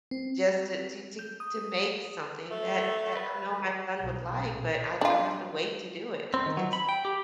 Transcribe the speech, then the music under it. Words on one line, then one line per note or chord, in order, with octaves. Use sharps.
just to to to to make something that that I know my son would like, but I I have to wait to do it. It it's
C4
G6
D#6
A3
B4
B1
A#2
D4 F4
C4
D#3
F#3
B5
G5
G4